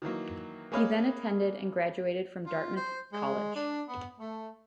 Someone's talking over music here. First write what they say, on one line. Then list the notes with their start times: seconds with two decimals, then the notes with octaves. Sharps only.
He then attended and graduated from Dartmouth College.
0.02 D#3 E3 F#3 A#3
0.72 A#3 G#4 B4 C#5 D#5 F5
2.45 F4
2.77 C5
3.13 G#3
3.55 D4
3.89 B3
4.18 A3